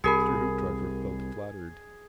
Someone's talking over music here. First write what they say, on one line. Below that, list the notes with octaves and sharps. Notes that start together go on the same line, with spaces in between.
Mr. Hoopdriver felt flattered.
C2 G4 G#4 A#4 B5